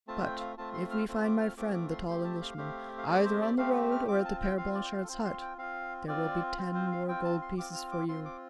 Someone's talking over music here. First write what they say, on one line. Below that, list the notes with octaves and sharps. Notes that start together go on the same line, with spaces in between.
But if we find my friend the tall Englishman, either on the road or at the Pere Blanchard's hut, there will be ten more gold pieces for you.
A3 C4 F4 A5
G5
F5
A3 C4 F4 A5
C6
F6
A3 C4 F4
D6
F6
A3 C4 F4 D6
D6
C6
A3 C4 G4 C6
A5
F5
A3 C4 G4
F5
A3 C4 G4 D5
C5
D5
A3 C4 G4 F5
F6
C4 F4 D6
A5
G5
C4 F4 F5
D5
G5
F5
A4
C4 F4 C5
C6
G5
C4 F4 F5
C4 F4 D5
C4 F4 C5
C5
F5
C4 F4 G5
A5
C6
C4 F4 D6
F6
D6
C4 F4 C6
D6